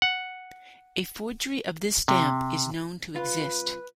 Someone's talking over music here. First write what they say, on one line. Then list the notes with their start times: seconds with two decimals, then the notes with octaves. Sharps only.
A forgery of this stamp is known to exist.
0.02 F#5
2.08 C3
3.15 C2 F4 B4